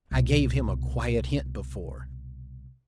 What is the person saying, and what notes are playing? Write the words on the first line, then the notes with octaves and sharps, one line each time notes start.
I gave him a quiet hint before.
C2 B2